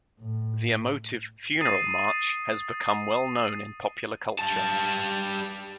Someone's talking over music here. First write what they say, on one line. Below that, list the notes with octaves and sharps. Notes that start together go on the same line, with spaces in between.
The emotive "funeral march" has become well known in popular culture.
A2
D#6 A6 C7 D#7
G3 A5